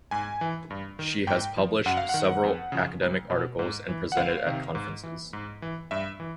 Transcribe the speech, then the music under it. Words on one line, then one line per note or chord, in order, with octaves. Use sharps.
She has published several academic articles and presented at conferences.
G#2 G#5
E3
G2
D#3
G#2 G5
F3
F#2 F#5
F5
D#3 F#5
F2
C#3 F3
C2
B2
G#2
E3
F#5
C#2 F5
C3 D#3
G#2
E3
G#2
E3
G2 E5
E3